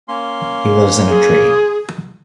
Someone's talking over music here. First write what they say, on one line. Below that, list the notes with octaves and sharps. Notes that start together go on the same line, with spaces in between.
He lives in a tree.
A#3 C#4 C6
G#4